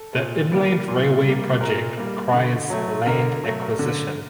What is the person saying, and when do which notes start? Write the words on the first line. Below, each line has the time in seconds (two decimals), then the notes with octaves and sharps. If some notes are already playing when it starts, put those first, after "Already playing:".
The Inland Railway project requires land acquisition.
Already playing: A4
0.15 A#2
0.52 G3 A#3
0.88 A#2
1.24 G3 A#3
1.61 A#2 A#4
1.97 G3 A#3
2.34 D3
2.70 F#3 A3
3.06 D3 A#4
3.43 F#3 A3
3.79 D3